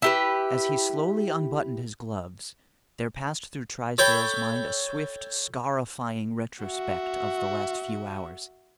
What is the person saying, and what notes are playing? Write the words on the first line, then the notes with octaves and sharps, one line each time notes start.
As he slowly unbuttoned his gloves, there passed through Trysdale's mind a swift, scarifying retrospect of the last few hours.
E4 G4 B4
A4 C#5 G5 B5
F#4 E5